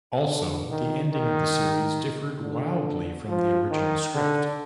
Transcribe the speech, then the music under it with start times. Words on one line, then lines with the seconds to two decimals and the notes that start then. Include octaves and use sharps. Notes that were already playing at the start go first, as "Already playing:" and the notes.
Also, the ending of the series differed wildly from the original script.
0.28 D3
0.70 D#3
1.13 D#3
2.42 D3
3.28 F3
3.71 D#3
4.14 D3